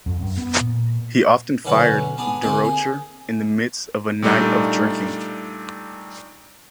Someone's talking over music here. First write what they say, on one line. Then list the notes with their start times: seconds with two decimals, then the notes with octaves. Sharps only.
He often fired Durocher in the midst of a night of drinking.
0.06 F2
0.21 F#2
0.38 B3
0.61 A#2
1.65 B1 D3 C#4 F#4 B4 C#6
2.17 B3 D4 G#4
2.43 C2 D3 A#3 C4 D#4 G#5
2.65 G#4
4.22 A#2 G3 A3 D4 D#4